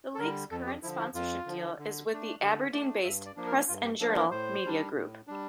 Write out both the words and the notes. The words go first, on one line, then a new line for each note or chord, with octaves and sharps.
The league's current sponsorship deal is with the Aberdeen-based "Press and Journal" media group.
A4
D3 G3 A#4
F2 A4
G4
D3 F3 E4
E4
F2 F4
D3 F3
D3
A3 D4
D3 G4
A3 D4 D5
G2 E5
D5
F3 A#3 D4
A#4
G2 F4
G4
F3 A#3 D4 A4
A#4
A2 C5
G3 D4
A2
G3 D4